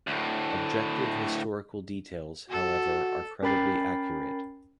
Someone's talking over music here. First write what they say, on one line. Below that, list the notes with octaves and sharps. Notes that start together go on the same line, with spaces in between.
Objective historical details, however, are credibly accurate.
D2 A2
F#4 A4
C#4 A#4 G5 B5 A6 C7